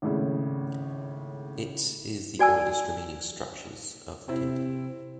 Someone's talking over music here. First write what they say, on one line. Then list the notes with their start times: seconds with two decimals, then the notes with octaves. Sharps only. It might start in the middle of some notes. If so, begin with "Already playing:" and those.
It is the oldest remaining structures of the temple.
0.02 G#1 A2 C#3
2.39 F#4 D5 G#5 A5 E6
4.28 C3 C4 E4